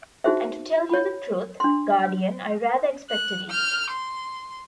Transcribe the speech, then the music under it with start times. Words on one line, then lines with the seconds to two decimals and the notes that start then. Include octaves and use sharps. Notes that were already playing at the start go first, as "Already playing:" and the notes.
And to tell you the truth, guardian, I rather expected it.
0.24 D#4 F#4 G#4 C5 E5
0.89 C#5 B5
1.60 D4 C6
3.10 F#6
3.50 F6 G6
3.91 C6